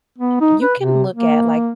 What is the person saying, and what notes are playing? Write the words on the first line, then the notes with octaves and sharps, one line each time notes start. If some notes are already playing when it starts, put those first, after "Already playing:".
you can look at, like,
B3
D#4
B4
C3
A#3